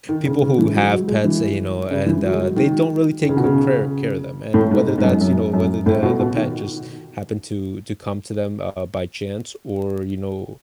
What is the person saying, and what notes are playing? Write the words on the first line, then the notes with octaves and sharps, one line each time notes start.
people who have pets that, you know and, uh, they don't really take good crare care of them, and whether that's you know, whether the the pet just happened to to come to them, uh, by chance, or, you know
D#3
C#3
C#3
E3
F#3
G#3
F#3
G#3
E3
C#3
E3
F#3
G#3
F#3
D#3
D#3
C#3
B2
C#3
A2
G#2
G#2
G#2
F#2
F#2
F#2
A2
B2
B2
D#3